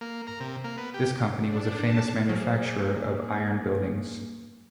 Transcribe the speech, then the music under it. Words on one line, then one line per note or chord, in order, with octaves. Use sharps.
This company was a famous manufacturer of iron buildings.
A#3
A#4
C3
A#3
B3
G4
D4
A5
F#3 A#3 G#4 C5